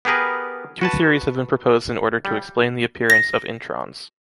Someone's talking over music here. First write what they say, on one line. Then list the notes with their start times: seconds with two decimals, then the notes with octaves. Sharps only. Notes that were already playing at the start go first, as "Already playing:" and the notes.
Two theories have been proposed in order to explain the appearance of introns.
0.05 B3 G4 G#4 A#4 B4
0.81 F#4 B4 A5
2.25 G3
3.10 A#6